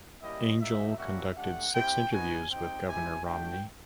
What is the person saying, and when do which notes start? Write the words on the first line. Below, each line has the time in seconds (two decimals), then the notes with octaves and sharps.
Angel conducted six interviews with Governor Romney.
0.22 G3 A#3 C#4 E4 G4 D#5
0.61 A#3 D#4 F#4 E5
0.98 G3 A#3 C#4 F#4 E5
1.36 A3 D4 G4 F#5
1.75 C4 E4 G4 G5
2.12 B3 D#4 F#4 G#5
2.50 C4 D#4 G4 G5
2.88 G#3 C4 E4 G4 G#5
3.26 A3 D4 F#4 G5